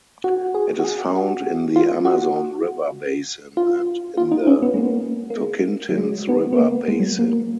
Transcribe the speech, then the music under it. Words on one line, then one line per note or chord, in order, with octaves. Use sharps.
It is found in the Amazon River basin and in the Tocantins River basin.
F#4
G#4
F#4
G#4
F#4
F4
F#4
F4
F4
D#4
C#4
B3
G#3
A#3
A#3
G#3
F#3
G#3
B3
B3
A#3
G#3
F#3
A#3